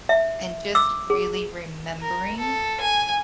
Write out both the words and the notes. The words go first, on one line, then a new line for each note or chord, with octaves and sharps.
and just really remembering
E5
D6 E6
G#4
A#4
A4
G#5